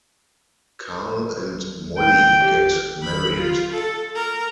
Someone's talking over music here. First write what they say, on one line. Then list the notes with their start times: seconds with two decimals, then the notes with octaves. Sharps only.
Carl and Molly get married.
1.98 G5
2.43 G4
3.03 B5
3.36 F4
3.72 A4
4.15 A#4